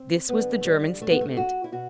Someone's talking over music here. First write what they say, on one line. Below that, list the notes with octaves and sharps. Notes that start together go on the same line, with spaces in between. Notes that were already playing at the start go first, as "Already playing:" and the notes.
This was the German statement.
Already playing: C4
F#2 D3 G3 B3
A3
G3
A3
B3
A3
F#4
E4
B2 F#4